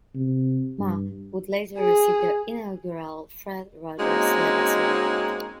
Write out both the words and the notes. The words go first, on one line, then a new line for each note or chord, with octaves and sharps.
Ma would later receive the inaugural Fred Rogers Legacy Award.
C3
G2
G#4
G#3 A#3 C4 C#4 D#4 F#4